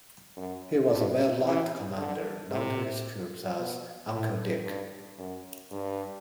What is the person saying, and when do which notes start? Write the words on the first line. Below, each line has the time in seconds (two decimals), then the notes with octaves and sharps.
He was a well liked commander known to his troops as "Uncle Dick".
0.37 F#2
0.90 G2
1.44 E3
1.97 D3
2.51 C3
3.57 B2
4.11 A2
4.64 G2
5.18 F#2
5.71 G2